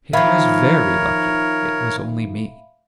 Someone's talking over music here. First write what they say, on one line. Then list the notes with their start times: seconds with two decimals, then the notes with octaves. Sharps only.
It was very lucky it was only me.'
0.13 D#3 F3 A#4 C#5 E5 F5 B5